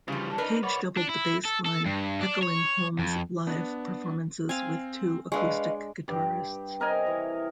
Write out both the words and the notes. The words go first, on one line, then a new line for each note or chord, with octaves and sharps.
Page doubled the bass line, echoing Holmes' live performances with two acoustic guitarists.
C#3 E3 F3 G3
A5
D4 D#4 A#4 B4
C#5 D5 F#5 B5
D4
E4
A4
A4
G2
D4
C#5
F2
B3 D4
C4 F5 G#5
G#3 D4 B4 D#5 F5 C#6
G2 G4
C3 A#4 D#5 G#5
E3